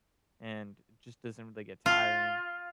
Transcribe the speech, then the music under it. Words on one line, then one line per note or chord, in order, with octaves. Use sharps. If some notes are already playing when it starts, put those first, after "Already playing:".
and it just doesn't really get tiring.
F4